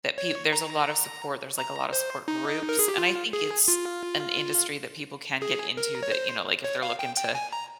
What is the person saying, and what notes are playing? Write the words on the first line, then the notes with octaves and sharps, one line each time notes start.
that peop there's a lot of support. There's, like, a lot of support groups, and I think it's an industry that people can get into that, you know, like, they're looking to
C#5
A#5
A#5
C5
D#4
A#4
G#4
G4
F4
G#4
F4
G#4
A#4
C#5
C5
C#5
F5
G5
G5
G#5
A#5